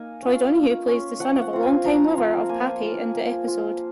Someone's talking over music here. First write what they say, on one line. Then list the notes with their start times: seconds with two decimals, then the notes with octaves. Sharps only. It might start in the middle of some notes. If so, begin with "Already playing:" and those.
Troy Donahue plays the son of a long-time lover of Pappy in the episode.
Already playing: A#3 D#4 G#5
0.23 C#4 F4
0.55 A#3
0.88 C#4 F4
1.19 F3 F#5
1.41 F#5
1.53 C4 F4
1.63 G#5
1.84 F3 A#5
2.18 C4 F4
2.49 A#3 G#5
2.83 F4
3.15 A#3
3.48 F4